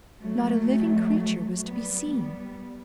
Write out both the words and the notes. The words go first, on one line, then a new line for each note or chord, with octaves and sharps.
Not a living creature was to be seen.
F#3 A3
G3 B3
G3 B3